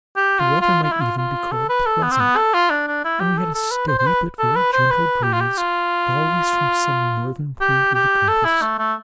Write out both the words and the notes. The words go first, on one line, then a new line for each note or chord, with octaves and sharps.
The weather might even be called pleasant, and we had a steady but very gentle breeze always from some northern point of the compass.
G4
F4
F4
F4
E4
F4
F4
A4
B4
A4
B3
C4
B3
A4
F4
D4
D4
E4
G4
A4
A4
B4
C5
C5
B4
A4
B4
C5
B4
G4
F4
G4
F4
G4
G4
A4
E4
A3
A3